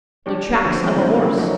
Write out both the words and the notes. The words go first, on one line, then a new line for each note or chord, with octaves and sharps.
"The tracks of a horse."
C#4 D4 G4 C#5
D3 F3 F4 F#4
D#3 F3 G#3 C4 C#4 D#4
C#3 F#3 B3 E4 C5
D#3 F#3 A3 C#4 E4
F3 F#3 D#4 F#4